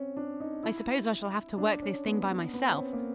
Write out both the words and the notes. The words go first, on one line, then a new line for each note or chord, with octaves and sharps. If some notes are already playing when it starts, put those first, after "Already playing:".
"I suppose I shall have to work this thing by myself."
Already playing: C4 C#4
D4
D#4
E4
D4
C#4
B3
B3
B3
C#4
C4
A#3